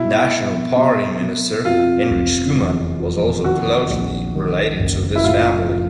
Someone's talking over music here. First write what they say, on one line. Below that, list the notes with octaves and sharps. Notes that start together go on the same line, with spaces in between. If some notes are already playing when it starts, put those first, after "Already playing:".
National Party Minister Hendrik Schoeman was also closely related to this family.
Already playing: B2 E4
B3
B2
B2
F2 F4
F1
E2
F3
D#3 F#4
A#1
D#3
F#1
E4
A2 F4
F3